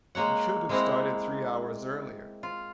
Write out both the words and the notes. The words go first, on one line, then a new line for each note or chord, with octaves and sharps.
He should have started three hours earlier.
G#3 A#3 C#5 F#5
G#3 A#3 C4 E4 F#5 A#5
F4